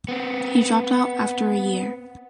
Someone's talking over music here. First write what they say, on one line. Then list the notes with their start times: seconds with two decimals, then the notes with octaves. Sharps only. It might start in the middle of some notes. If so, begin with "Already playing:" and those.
He dropped out after a year.
0.08 B3 C4